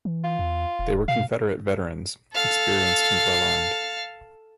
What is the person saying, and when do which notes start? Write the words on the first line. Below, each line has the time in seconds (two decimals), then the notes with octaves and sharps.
They were Confederate veterans, experienced and well armed.
0.05 E3
0.24 F4
0.39 E2
0.79 D#1
1.08 B2 F5
2.34 A4 F5